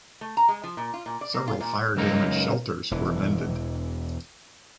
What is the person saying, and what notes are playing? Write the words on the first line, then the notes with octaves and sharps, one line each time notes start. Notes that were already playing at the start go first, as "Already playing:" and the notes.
Several fire-damaged shelters were mended.
A3
A#5
G#3
F3
A#2
F4
A#2
D5
A#3
F4
A#2
C#2 F#2 A#3 D#4
E1 E3